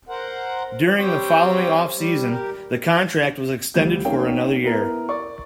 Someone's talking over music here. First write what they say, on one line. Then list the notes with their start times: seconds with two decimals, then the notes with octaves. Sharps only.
During the following off-season, the contract was extended for another year.
0.09 A#4 C5 F#5
0.98 G3 C4 G4 C5 C#5 G5
1.95 G3
2.29 G4 A#4
3.74 D2 F3 G3 G6
4.05 A#3 C#4 D#4 F5 G5
4.64 B3 E4 A#4
5.09 D5 C#6